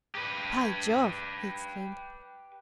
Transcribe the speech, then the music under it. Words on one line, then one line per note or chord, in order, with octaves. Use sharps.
"By Jove!" he exclaimed.
G4 B4